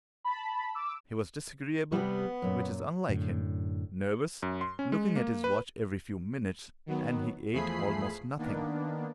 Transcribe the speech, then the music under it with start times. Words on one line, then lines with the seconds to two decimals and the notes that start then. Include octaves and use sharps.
He was disagreeable, which is unlike him, nervous, looking at his watch every few minutes, and he ate almost nothing.
0.25 A5 B5
0.75 D6 E6
1.92 C3 G3 B3
2.42 F#2 A#2
3.09 F#2 A2 D3
4.43 F#2
4.61 C6
4.79 C#4
4.92 G#3
5.16 A#3
5.44 B4
6.86 D#3 F#3 B3
7.52 E2 F3 A3 G#4 B5 C7
8.38 D#3 A#3 B3 D4